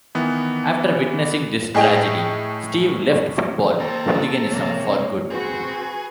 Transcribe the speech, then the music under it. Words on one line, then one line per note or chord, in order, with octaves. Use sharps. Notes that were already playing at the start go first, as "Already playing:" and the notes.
After witnessing this tragedy, Steve left football hooliganism for good.
D#3 E3 B3
A2 G#4 D#5 G5
A#3 G4 A4 C5 A#5
C3 G#3 A#3 C#5
C4 F#4 G#4 B4